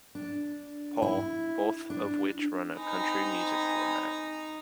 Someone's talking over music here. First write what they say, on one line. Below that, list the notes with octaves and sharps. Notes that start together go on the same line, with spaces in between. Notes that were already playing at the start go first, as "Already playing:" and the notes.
Paul, both of which run a country music format.
D4
E4
D4
C4 D#4 G#5 A#5 B5